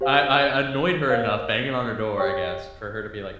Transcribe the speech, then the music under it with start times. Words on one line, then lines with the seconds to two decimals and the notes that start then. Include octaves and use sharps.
I I annoyed her enough banging on her door, I guess, for her to be like,
0.01 G4 C5 F5
1.10 A#4 C#5 F5
2.18 G4 C#5 G5 C#6